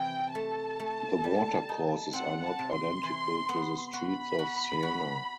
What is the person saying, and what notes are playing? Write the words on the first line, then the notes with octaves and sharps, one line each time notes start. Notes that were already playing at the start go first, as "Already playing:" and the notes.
The watercourses are not identical to the streets of Siena.
Already playing: C3 E3 G5
A3 A5
A3
G3
D#4
C4 F#5
A5
C3
C6
E3
B3
F#4 B5
F#4
F#4